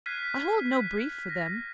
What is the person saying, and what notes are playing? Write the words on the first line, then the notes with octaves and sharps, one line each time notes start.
I hold no brief for them.
F6 F#6 G#6 B6 C7 D#7
A#6